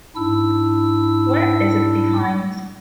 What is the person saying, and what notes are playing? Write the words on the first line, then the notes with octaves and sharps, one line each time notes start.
Where is it defined?
G#2 D4 E4 E6